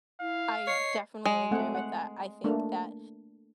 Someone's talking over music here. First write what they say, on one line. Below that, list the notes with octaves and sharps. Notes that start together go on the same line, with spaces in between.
I definitely agree with that, I think that,
E4 F5
C#5 D#5 C7
G#3
A3 C4 F#5
F#5
A3 A#3 D4